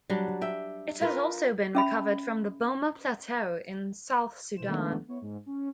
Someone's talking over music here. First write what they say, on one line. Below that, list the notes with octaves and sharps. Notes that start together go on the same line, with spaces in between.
It has also been recovered from the Boma Plateau in South Sudan.
F#3 G3 D4
E5 G5
F4 A#4 B4
C#4 E5 B5
B2 E3 C5 E7
D#3 G#3 A3 B3 D4
B3 E4 C#5
G#2
C#4